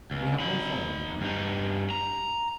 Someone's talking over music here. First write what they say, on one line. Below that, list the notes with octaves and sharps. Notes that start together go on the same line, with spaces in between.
We have no following--now.
C#2
D#4 B5
G2 D#4
A#5